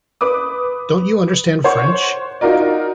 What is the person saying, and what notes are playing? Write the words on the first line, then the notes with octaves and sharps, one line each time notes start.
Don’t you understand French?
B4 D6 D#6
C5 C#5 F#5 C6 C#6
D#4 F4 F#4 A#4 D5